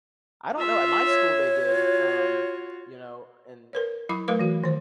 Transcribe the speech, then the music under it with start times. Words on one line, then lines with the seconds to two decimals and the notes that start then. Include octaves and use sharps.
I don't know at my school, they did, um, you know, and
0.57 F4 E5
1.07 C#5
1.66 F4 F#4
3.73 A#4 B4 C#5
4.09 F#3 E4 B5 D6
4.28 F#3 A3 A#4 B4 F5 D6
4.39 E3 F#4
4.64 D#3 C5